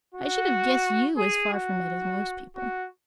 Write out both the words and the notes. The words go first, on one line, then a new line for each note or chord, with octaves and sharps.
I should have guessed you as far from it as most people.
F#4
G#4
F#4
F#4